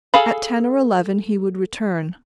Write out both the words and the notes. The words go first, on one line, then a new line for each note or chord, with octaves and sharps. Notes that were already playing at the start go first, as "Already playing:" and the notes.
At ten or eleven he would return.
G#4 A4 F5 B5